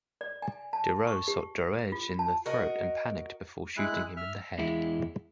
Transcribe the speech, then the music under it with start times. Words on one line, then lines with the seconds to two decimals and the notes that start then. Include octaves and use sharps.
Deroux shot Droege in the throat, and panicked before shooting him in the head.
0.21 D5
0.42 G#5
0.73 A5
1.07 C#6
1.28 G4
1.92 F4
2.19 A5
2.46 F#4 A#4 D#5
3.77 G#3 E4 F#6
4.17 E5 F6
4.58 E2 G#3 E4